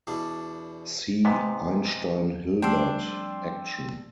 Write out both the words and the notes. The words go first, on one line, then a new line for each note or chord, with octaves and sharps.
See Einstein-Hilbert action.
E2 B2 D4
G#2 C3 B3
F2 G3 A3 D4 G5 C6 E6